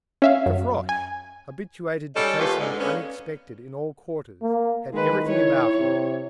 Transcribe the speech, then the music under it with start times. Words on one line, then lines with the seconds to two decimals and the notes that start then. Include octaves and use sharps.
Gavroche, habituated to facing the unexpected in all quarters, had everything about him.
0.22 C#4 E5 F5
0.46 F#2
0.89 G#5
2.16 G3 G#3 C#4 D#4 A4
2.39 D#2 A2 B3 F4 G4 B4
2.60 G#2 D3 G#3
2.80 D3 A#3 B3 C#4
4.42 A#3
4.93 D#3 G#3 B4
5.26 E4 C#5
5.79 C3